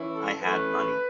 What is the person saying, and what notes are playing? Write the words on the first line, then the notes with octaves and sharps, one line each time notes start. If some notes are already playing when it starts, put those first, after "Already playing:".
I had money.
Already playing: E3 C#4 E4
A4
E3 A3 C#4 B4